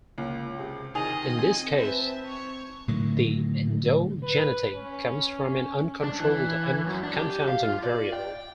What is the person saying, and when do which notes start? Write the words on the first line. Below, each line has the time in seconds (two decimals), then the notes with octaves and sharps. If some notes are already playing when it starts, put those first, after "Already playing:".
In this case, the endogeneity comes from an uncontrolled confounding variable.
0.18 C#2 A#3
0.59 C3 G#4
0.95 D#3 F4 G#4 D#5 D#6 A6 F7
1.39 C4 G#5
1.78 B4 C5 E5 A5
2.26 C#5 C#6
2.88 A2 D3 D#3 F#3
4.23 B4
4.74 C#4
6.03 D4
6.20 E3
6.86 F#2
7.03 D4
7.16 G4
7.49 F5
7.63 F4
7.83 D5
8.13 G5